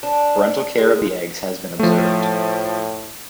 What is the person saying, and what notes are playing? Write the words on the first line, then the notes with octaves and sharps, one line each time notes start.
Parental care of the eggs has been observed.
D4
G#3
A2 F3 A3